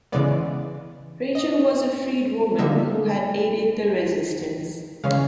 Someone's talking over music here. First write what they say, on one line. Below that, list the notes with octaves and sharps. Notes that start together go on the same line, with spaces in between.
Rachel was a freedwoman who had aided the resistance.
C#3 E3 G#3 B3 D5
D#5
D3 G3 A#3 D#4 E5
C#3 E3 G#3 C#4 F5